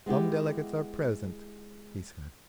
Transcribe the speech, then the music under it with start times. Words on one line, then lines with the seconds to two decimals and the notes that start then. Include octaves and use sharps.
"Some delegates are present," he said.
0.06 G#3 B3 E4 G4